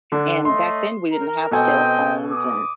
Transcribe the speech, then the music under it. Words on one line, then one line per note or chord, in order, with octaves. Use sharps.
And back then, we didn't have cell phones and,
D3 D4
A3 C#5 D#5 C6
A#4
B2 C4 A4 D#5 G5 G#5
D6 D#6